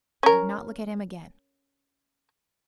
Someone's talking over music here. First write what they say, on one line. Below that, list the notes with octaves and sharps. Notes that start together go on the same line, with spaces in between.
I did not look at him again.
C#4 A#4